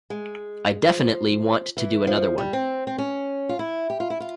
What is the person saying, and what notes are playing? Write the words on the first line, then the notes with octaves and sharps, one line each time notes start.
I definitely want to do another one.
G#3
F3
E3
F3
G3
C4
C4
C#4
F4
E4
G4
F4
E4
F4